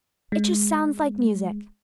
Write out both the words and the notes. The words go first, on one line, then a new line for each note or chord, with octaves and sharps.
It just sounds like music.
G#3